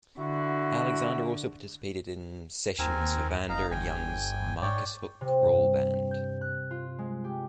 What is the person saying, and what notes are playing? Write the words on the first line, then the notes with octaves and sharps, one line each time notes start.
Alexander also participated in sessions for Vanda and Young's Marcus Hook Roll Band.
D3 E4 F#4
D#2 C4 A#4 G#5
F#1 D#4 F5 A#5
G1 G5 G#5
G#2 C#5 D5 G5
C3
G2
G6
F#6
F4
G#3
G4